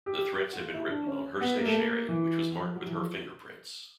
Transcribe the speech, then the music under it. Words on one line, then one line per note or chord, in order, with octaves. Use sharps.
The threats had been written on her stationery, which was marked with her fingerprints.
G4
F#4
F4
E4
D4
C#4
B3
A#3
A3
A#3
E3
F3
F#3
E3
F3